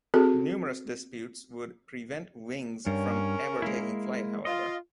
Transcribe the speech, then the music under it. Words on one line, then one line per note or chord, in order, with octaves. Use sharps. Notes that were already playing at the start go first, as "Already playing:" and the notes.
Numerous disputes would prevent Wings from ever taking flight, however.
C4 F#4 G#4 A4
G2 C#4 A#4 C#5
G#3 A#3 E4
F4 D#5